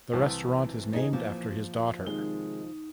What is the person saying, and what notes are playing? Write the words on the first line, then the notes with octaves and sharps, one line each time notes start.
The restaurant is named after his daughter.
C2 E3 C4 C5 A5
D#4 G#4
A#2 F3
C3 D#3 G#3 D#4